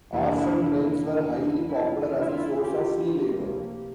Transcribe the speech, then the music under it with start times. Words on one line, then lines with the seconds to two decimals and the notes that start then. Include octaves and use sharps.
Orphan trains were highly popular as a source of free labor.
0.12 F2 C3 E3 A#3 D4 E4
0.25 D4
0.37 E4
1.69 E4
1.80 F4
2.21 E4
2.28 F4
2.36 E4
2.64 G4
3.46 D2 C3 F3 A#3